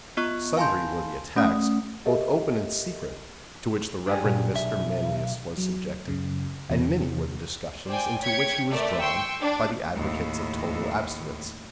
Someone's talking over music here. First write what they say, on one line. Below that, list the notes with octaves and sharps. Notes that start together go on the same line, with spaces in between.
Sundry were the attacks, both open and secret, to which the Reverend Mr. Manlius was subjected, and many were the discussions into which he was drawn by the advocates of total abstinence.
B3 F4 D#5 C#6 F#6
F5 G#5 A5 B5 C6 G6
A3 C#4 D#6
G4 A4 A#4 D#5 E5
D4 G4 G#4
A#2
B1 E5
F#3
F#2 C#3
E2 C3 E3
C5 D5 G5 G#5
C#5 G5 G#6 B6 C#7
A3 A#4 D5
G5 C6 C#6 E6
D4
D#2 A2